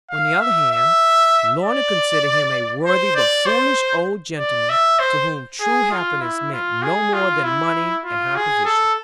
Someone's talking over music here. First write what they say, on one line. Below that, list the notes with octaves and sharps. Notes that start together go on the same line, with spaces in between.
On the other hand, Lorna considered him a worthy but foolish old gentleman; to whom true happiness meant no more than money and high position.
F5
E5
E5
D5
C5
D5
C5
D5
E5
C5
G#4
F4
E4
F4
G#4
F4
E4
F4
G#4
A4